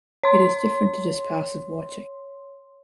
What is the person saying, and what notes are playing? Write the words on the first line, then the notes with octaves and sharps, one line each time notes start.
It is different to just passive watching.
C#5 C6